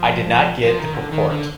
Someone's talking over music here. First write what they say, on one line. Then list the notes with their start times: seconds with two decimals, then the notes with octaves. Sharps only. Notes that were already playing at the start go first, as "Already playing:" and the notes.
I did not get the purport.
Already playing: F3
0.65 F3
0.79 D#3
0.93 D3
1.12 D#3
1.31 D3